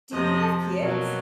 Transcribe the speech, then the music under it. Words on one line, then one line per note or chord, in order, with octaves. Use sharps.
"Do you have kids?
F2 C3 F3 D#5
B2 F#3 A#3